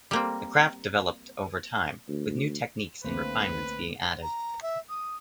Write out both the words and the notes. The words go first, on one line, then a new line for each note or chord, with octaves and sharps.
The craft developed over time, with new techniques and refinements being added.
G3 A#3 C4
D2
C2 D3 A3 A#3 C4 B4 C5
A#5
E5
D#6